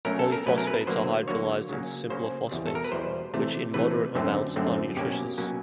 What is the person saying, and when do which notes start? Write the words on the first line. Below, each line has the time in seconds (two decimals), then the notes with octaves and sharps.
Polyphosphates are hydrolyzed into simpler phosphates, which in moderate amounts are nutritious.
0.05 B2 F#3 A3 C#4 A#4
0.19 A4
0.32 A#4
0.46 B2 F#3 A3 C#4 B4
0.58 A#4
0.67 B4
0.87 D3 F#3 A#3 C5
1.28 D3 F#3 A#3 C#5
1.69 C#3 F#3 A#3 C#4
2.10 C#3 F#3 A#3 C#4 C5
2.51 E2 B2 G3
2.67 A4
2.75 A#4
2.84 B4
2.92 E2 B2 G3 C5
3.34 C3 E3 A3
3.74 C3 E3 A3 B4
4.15 F#2 D3 F#3 A3 C4
4.56 F#2 D3 F#3 A3 C4
4.97 B2 F#3 A#3 C#4 G4
5.38 B2 F#3 A#3 C#4